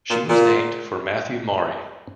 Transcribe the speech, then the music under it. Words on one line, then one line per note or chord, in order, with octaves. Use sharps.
She was named for Matthew Maury.
A#2
A#2